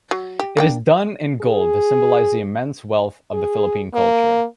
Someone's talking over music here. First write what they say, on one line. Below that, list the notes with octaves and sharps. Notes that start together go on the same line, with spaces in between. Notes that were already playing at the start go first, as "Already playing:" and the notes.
It is done in gold to symbolize the immense wealth of Philippine culture.
F#3
G4
A#3 D4 G5
G#4
G#4
A#3